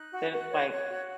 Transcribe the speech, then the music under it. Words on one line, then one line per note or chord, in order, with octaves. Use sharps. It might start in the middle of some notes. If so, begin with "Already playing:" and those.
that's, like,
Already playing: D#4 F#6
F#4
F#4
C#5
C#5
F#4